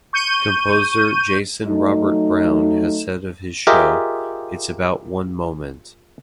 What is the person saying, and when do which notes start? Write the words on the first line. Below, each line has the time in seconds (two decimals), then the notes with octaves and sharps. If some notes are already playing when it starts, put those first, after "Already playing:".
Composer Jason Robert Brown has said of his show, It's about one moment.
0.13 C#6 G6 D#7
1.66 F#3 A3 D#4
3.67 F4 G4 G#4 A#4 D#5 E5